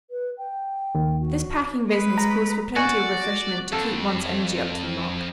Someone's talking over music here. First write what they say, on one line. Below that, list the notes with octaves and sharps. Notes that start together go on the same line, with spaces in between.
This packing business calls for plenty of refreshment to keep one's energy up to the mark.
B4
G5
D#2
F#4
G#3 B4
A#5
F#4 D5 G#5 C#6
F2 A4